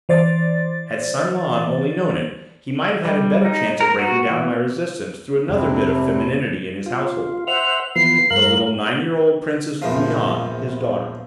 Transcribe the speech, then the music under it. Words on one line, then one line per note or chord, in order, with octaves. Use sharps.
Had San-Lan only known it, he might have had a better chance of breaking down my resistance through another bit of femininity in his household, the little nine-year-old Princess Lu-Yan, his daughter.
E3 C5 D5 A6
G3
D#4
A#4
F#4
E3
F2 G#2 C3 C4 D4 E4
F4
C5 E5 F#5 F7
E3 F3 B3 C7
G2 A#4 F5 F#7
A#1 E2 F3